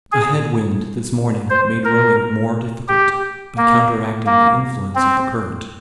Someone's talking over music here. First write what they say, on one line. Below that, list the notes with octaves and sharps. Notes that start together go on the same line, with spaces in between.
A head wind this morning made rowing more difficult, by counteracting the influence of the current.
G#4
C5
A#4
G4
A#3
A#3
C4